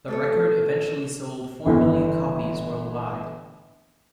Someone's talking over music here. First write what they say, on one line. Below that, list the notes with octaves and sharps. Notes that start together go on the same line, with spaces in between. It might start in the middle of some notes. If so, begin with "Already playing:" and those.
The record eventually sold four million copies worldwide.
A3 A4 C#5
G1 E3